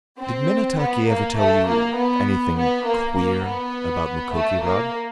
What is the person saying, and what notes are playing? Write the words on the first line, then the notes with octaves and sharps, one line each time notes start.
"Did Minnetaki ever tell you--anything--queer--about Mukoki, Rod?"
C4
B3
A#3
A3
A#3
B3
B3
A#3
A#3
B3
A3
A#3